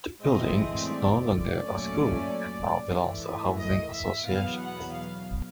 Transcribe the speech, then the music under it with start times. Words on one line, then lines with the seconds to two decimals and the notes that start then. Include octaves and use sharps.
The building is no longer a school and now belongs to a housing association.
0.22 A2 E3 G#3 C4 D#5
0.56 D#5
0.89 D5
1.56 A#2 F#3 A3 C#4
2.91 G#2 E3 A3
3.59 D#5
3.92 E5
4.25 E2 B2 F#3 B3 F5
4.59 F#5
4.92 F5